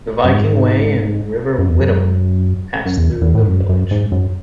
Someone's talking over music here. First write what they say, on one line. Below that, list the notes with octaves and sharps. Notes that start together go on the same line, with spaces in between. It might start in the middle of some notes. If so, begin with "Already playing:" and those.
The Viking Way and River Witham pass through the village.
F#2
G#2
F#2
E2
F#2
F#2
E2
E2
A2
G#2
F#2
F#2
G#2
F#2